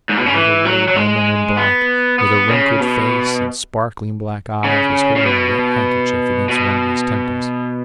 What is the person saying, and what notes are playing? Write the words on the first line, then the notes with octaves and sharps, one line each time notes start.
A little old woman in black, with a wrinkled face and sparkling black eyes, was holding a wet handkerchief against one of his temples.
G#2
B2
C#3
E3
F#3
F#3
G#3
B3
B3
C#3
B2
C#3
C#3
B2
B2